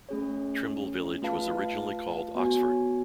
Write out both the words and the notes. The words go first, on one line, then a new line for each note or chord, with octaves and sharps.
Trimble village was originally called Oxford.
A3 C#4 G#4 C#5
A3 F4 B4 F5 A5
B3 F#4 C#5 G#5